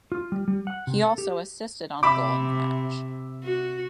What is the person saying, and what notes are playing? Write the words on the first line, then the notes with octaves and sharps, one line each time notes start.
He also assisted on a goal in the match.
F4
G3
G3
F#5
C3
A4
G4
C3 E5 B5 D6
F#4